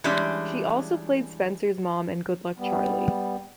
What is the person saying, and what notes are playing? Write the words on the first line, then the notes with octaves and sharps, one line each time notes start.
She also played Spencer's mom in "Good Luck Charlie".
E3 G3 G#3 C#4 D4
G3 B3